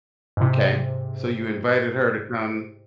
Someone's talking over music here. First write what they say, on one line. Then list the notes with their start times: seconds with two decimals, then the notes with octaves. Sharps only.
Okay. So, you invited her to come
0.37 G#2 C3